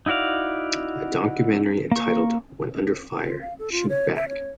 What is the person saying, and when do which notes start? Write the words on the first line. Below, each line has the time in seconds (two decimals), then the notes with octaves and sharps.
A documentary entitled When Under Fire: Shoot Back!
0.06 D#4 E4 F#4 D5 F5
1.92 A#3 C#6
3.22 F4
3.41 F5
3.59 A4
3.72 F4
3.89 C#5
4.16 E5
4.28 C#5